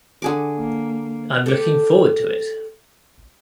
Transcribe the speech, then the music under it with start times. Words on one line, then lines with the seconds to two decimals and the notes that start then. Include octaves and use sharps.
I’m looking forward to it!
0.22 D3 G#4 D6
0.57 A#3
1.46 G4 A4